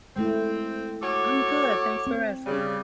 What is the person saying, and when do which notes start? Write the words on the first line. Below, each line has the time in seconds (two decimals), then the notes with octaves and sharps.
I'm good, thanks for asking.
0.16 G#3 A3 C4 E4
1.02 F#4 A4 C#5 C#6 D6
2.07 C4
2.46 C#3 G3